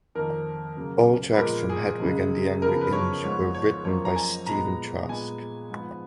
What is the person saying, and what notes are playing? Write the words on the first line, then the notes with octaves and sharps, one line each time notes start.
All tracks from "Hedwig and the Angry Inch" were written by Stephen Trask.
F2 D#3 A#3 A#4
C#3 F#3 A#3
B4
A#2 F3 G#3 B3 A#4
G#4
F#2 C#3 G#3
F2 C#3 F3 B3 A#4
B4
C#5
G#2 F3 B3 C#5
C#5
F#2 F3 A#3 C#5
A#5
G#5
A#2 G#3 B3 A#5
A#2 G#3 B3 G#5
G#2 F3 B3